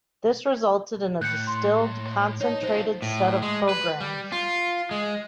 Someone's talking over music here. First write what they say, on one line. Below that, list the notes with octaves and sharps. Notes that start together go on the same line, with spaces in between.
This resulted in a distilled, concentrated set of programs.
A2 F#6 G6 C#7
C6 F#6
D#4 C#5 A5
D#4 F4 C5
A2
G#3
B4
G3
F4
G#3